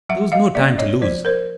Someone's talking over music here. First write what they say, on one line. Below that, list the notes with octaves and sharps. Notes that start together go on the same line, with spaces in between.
There was no time to lose.
F#3 E5 F#5
D#5 F5
A#3 C#4 D5 E5
C#5 D#5
F3 C5 D5
A#4 C5